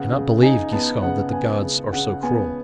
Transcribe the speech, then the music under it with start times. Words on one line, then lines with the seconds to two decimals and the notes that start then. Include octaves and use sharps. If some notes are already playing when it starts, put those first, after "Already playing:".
I cannot believe, Giscon, that the gods are so cruel.
Already playing: C#3 B3 F#5
0.13 C#3
0.42 D#4 G#5
0.72 B3 A5
1.03 C#3 F#5
1.33 B3 G#5
1.62 C#3
1.93 C#3 F#5
2.23 B3 G#5